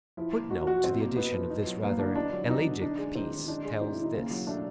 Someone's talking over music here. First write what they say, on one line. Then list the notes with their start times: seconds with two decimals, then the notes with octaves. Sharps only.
A footnote to the edition of this rather elegiac piece tells this.
0.17 F3 E4
0.34 A#3
0.50 D#4 F#4
0.67 F3 F#4
0.84 F3 C4
1.01 A#3
1.16 B3 D#4
1.33 F3
1.50 D#4
1.67 F#3
1.83 A#3 B3
1.99 D3 D4
2.15 D4 D#4
2.32 F#3
2.49 B3 D#4
2.65 D3
2.82 D4 D#4
2.98 G#3
3.15 C4 D#4
3.31 D#3
3.48 D4 D#4
3.65 G#3
3.81 C4 D#4
3.93 E4
3.98 D#3
4.03 D#4
4.14 C#3 A#3
4.31 F#3
4.47 A3 D4